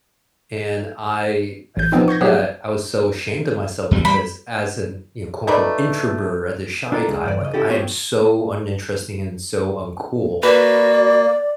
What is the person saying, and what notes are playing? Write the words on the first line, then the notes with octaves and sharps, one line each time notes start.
And I I felt that I was so ashamed of myself because as an, you know, quote, unquote "introvert," as a shy guy, like, I am so uninteresting and so uncool
A1 G6
F3 B3 C4 D#4
C#6 G6 G#6 A#6
F#3 G4 G#4 F#5
E2 G3
G3 B5
A3 D#4 B4 D5
D4 F4 A4 A#4
C#2 G#3
E2 G2 D5
C#3 D#5
C#4 E4 F#4 G4 A4
B3 F4 G4 A4 C5 C#5
A#3 F#4 B4 D5